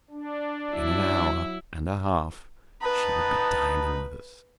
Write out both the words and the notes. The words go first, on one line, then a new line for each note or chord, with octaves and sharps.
In an hour and a half she would be dining with us.
D4
F#3 E4
B3 D#4 B4 A5